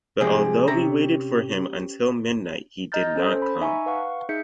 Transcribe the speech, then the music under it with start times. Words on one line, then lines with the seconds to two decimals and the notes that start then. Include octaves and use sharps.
But although we waited for him until midnight he did not come.
0.21 C3 F3 G#3 G#4 G#5
0.68 C3 C#4 G4 A#5
2.92 D#5 A#5 F6 G6 A6
3.16 C#4 A4 C5
3.42 B5
3.61 D#4 E5 G#5 A#5 C#6
3.86 B4 F5 F#5 C#6
4.29 D#4 G#4 E5 G6 B6 C#7